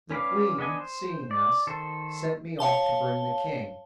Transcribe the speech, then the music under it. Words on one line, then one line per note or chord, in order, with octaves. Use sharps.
The queen, seeing us, sent me off to bring the king.
C#4 B4 D5 F5
B3 D4 D#5 G#5
C5
D5
D#3 A4 C5
C#5 F5 A5 G7